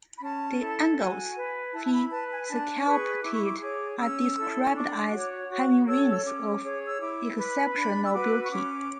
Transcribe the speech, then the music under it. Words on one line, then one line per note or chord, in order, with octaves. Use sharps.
The angels he sculpted are described as having wings of "exceptional beauty".
B5
C#4 A5
E4 A4
F#4 G#5
B4
E4 A5
A5
B5
B4 A5
G#5
D4 A5
G#4 B4 C#6
E4 D6
C#6
D6
G#4 C#5 D6
C#4 E6
E4 A4
C#6
D4 D6
F#4 C#5
F#4 C#6
A4 C#5 E6
E6
C#4 D6
G#4 C#5
E6
E4 D6
B4 B5
D4 B5
E6
F#4 B4 D6
C#6
C#4 D6